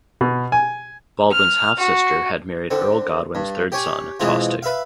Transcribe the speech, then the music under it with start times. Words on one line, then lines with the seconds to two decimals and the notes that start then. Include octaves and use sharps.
Baldwin's half-sister had married Earl Godwin's third son, Tostig.
0.21 B2
0.52 G#5
1.32 F6
1.80 F#4
2.71 D3 C4
3.35 G2
3.72 G4 C#5 G#5
4.20 B2 E3 G#3 C4 F4
4.63 B4 E5 F5